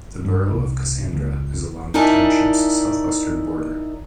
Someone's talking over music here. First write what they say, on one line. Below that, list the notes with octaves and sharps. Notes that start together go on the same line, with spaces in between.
The borough of Cassandra is along the township's southwestern border.
G2
C2
C#2
D#4 E4 A#4 D5 G#5 A5